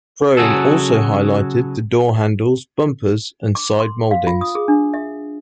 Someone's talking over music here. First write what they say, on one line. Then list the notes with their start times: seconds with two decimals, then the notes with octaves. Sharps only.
Chrome also highlighted the door handles, bumpers, and side mouldings.
0.37 C#3 F#3 F#4 G#4 A4
3.55 D6
3.80 C6
4.11 F5
4.27 F4
4.41 D#6
4.55 G#4
4.68 D4
4.94 E5